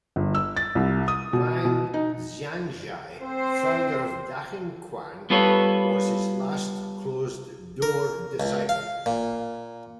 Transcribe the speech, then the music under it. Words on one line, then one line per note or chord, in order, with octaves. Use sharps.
Wang Xiangzhai, founder of dachengquan was his last closed door disciple.
G1
E6
A6
C2
D#6
B2
B2
D#4
C4 C5
G3 B3 F4 A4 B4 C#5
A#4
C#2
F5
A#2